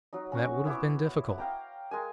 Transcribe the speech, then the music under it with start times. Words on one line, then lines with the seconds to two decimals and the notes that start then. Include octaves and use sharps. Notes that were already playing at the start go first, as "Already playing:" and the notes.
"That would have been difficult."
0.13 F#3 D#4
0.32 C#4 F#4 C#6
0.65 B3 E4 C#5 D6
1.38 F5 G5 A#5
1.91 G#3 A#4 G#5